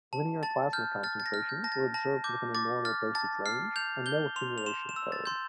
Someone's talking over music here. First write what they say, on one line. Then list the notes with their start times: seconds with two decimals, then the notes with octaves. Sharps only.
Linear plasma concentrations were observed within a normal dosage range and no accumulation occurred.
0.13 A5
0.43 A5 A6
0.73 F6 G6
1.03 F6 A6
1.20 A6
1.26 A#6
1.34 F6
1.49 G6
1.64 A5 A#6
1.72 A6
1.94 A5 A#6
2.24 D6 G6
2.55 D6 A6
2.85 F6 A6
3.15 A5 A6
3.46 F6 C7
3.76 G6 F7
4.06 G6 G7
4.36 C6 F7
4.58 F7
4.66 C6 E7
4.89 E7
4.96 E6
5.12 A6
5.26 C6 G6